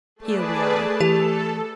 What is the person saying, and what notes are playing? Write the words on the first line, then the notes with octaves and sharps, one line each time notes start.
Here we are.
A3 G#4 B4 D5 A5
E3 G4 A4